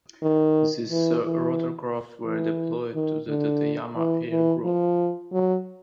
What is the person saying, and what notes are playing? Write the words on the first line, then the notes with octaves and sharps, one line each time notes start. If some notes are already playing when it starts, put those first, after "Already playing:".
These rotorcraft were deployed to the Tateyama Air Group.
D#3
E3
E3
E3
D#3
D3
E3
E3
F3
F#3